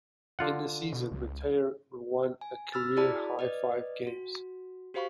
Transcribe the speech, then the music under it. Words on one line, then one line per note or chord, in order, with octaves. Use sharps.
In the season, Mitre won a career-high five games.
D3 F4 F#5
B2
C#2
G#5
B5 E6 F6 A6
E4 F#4 G#4 D5 A5 B5
B4 D5 D#5
F#4
F#4 G4 C5 F5 B5 C#6